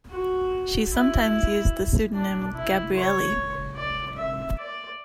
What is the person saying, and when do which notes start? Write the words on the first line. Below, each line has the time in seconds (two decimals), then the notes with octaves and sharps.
She sometimes used the pseudonym Gabrielli.
0.11 F#4
0.92 E4
2.13 D4
2.55 E4
2.95 C#5
3.76 D5
4.16 E5
4.58 D5